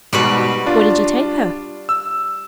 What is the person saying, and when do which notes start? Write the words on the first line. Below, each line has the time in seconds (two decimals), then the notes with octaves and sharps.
'What did you take her?'
0.13 G#2 B2 G3 F#4 B4
0.66 D4 F4
1.89 E6